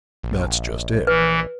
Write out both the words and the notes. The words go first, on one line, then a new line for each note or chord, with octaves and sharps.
"That's just it."
A#1
E3 B4